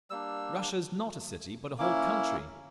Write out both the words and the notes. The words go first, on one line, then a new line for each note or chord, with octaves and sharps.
Russia is not a city, but a whole country....
G3 A#3 D4 E6
A#3 C#4 E4 D6